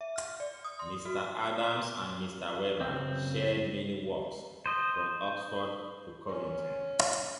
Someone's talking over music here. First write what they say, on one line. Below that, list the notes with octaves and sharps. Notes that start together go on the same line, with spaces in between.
Mr. Adams and Mr. Weber shared many walks from Oxford to Covington.
E5
F6
D5
D#6
C6
F#4
F#1 F#2 C#3 C4
C5 D#5
C#4